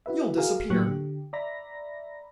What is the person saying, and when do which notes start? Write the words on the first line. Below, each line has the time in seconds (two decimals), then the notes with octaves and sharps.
You'll disappear.
0.06 E4 F#4 B4 E5
0.37 F#4 G#4 A#4 F5
0.70 A2 F#3 A#3 G4 C#6 F#6
0.87 D3 G4
1.33 D5 E5 A#5 B5 A#6